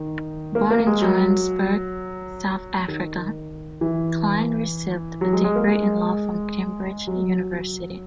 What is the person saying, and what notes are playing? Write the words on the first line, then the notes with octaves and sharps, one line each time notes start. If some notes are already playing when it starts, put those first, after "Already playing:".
Born in Johannesburg, South Africa, Klein received a degree in law from Cambridge University.
Already playing: D#3
A#3
A#3
G#3
F#3
D#3
E3
F#3
G#3
G#3
A#3
G#3
F#3